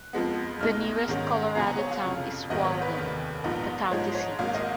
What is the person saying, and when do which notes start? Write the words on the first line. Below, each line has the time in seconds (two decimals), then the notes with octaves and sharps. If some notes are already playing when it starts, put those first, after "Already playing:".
The nearest Colorado town is Walden, the county seat.
Already playing: F#6
0.13 F2 F3 G#3 B3
0.60 B1 B2 G#3 D#4 F6
1.08 G#2 D#3 G#3 C#4
1.55 C#2 B2 F#3 B3 A#5
1.67 G#5
1.79 C#5
1.91 F5
2.03 F1 F2 C#3
2.50 A#1 G#2 D#3 F#3 B3 D#5
2.65 C#5
2.82 B4
2.97 F1 D#2 D#3
3.44 A#1 G#2 F3 B3 D#4
3.91 G#2 F3 G#3 D#4 C#5
4.15 C#5
4.39 G#1 G#2 F#3 A#3 F5
4.54 D#5